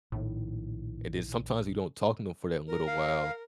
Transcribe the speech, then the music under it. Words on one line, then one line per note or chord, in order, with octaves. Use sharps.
and then sometimes you don't talk to 'em for that little while,
A#1 A2 D#3
A#4
F5